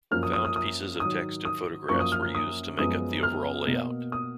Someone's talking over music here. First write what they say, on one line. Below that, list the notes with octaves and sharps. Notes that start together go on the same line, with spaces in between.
Found pieces of text and photographs were used to make up the overall layout.
F#2 F3 A#3 F6
D#6
D#6
D#6
D#6
G#2 D#3 F#3 D#6
D#6
F#2 F3 A#3 C#6
D#6
F6
F6
D#6
F#2 F3 G#3 B3 D#6
F6
B2 A#3
D#6